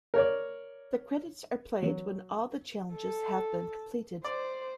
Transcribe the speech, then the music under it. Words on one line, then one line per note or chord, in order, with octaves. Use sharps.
The credits are played when all the challenges have been completed.
A#4 C#5 D5
F#3
A4
C5 D5